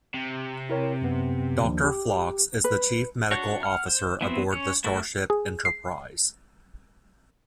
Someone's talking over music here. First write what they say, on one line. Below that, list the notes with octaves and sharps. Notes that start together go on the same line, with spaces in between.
Doctor Phlox is the chief medical officer aboard the starship "Enterprise".
C3
E4 A#4 C#5
F#2 B3
D#2 F3 D4
G4
B4
D4 F#4 C#5
F#5 F6
C5
E3 B3 C4 F#4
C#4 C#5
A3 F#4 A4 A#4
G#4
C7